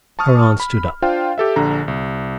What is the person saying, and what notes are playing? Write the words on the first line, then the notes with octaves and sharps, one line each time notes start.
Her aunt stood up.
A5 C#6 D#6 F6
B5
D4 F4 C5 F5 G5
G4 A4 E5
A#1 D3 A#5
C2